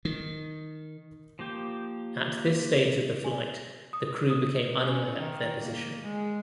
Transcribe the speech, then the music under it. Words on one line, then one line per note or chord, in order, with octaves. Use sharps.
At this stage of the flight the crew became unaware of their position.
D#3
F3 A#3 G4 G5
G#5
D#6
D#6
C#4
D#3
A#3
G#3